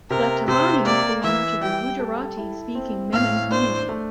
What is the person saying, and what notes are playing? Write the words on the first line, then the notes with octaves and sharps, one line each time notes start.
The Tabanis belong to the Gujarati-speaking Memon community.
C3 A#4
C3 C5
A#3 D5
E3 E5
G3 G5
A4
E4
C4
A2 F5
D4 C5
A3